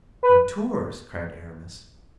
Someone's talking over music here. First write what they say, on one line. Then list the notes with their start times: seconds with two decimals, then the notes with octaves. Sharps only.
"From Tours!" cried Aramis.
0.23 B4